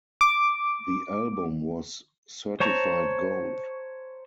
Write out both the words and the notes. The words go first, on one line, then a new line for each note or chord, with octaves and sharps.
The album was certified gold.
D6
C5 C#5 A5 A#5 C#6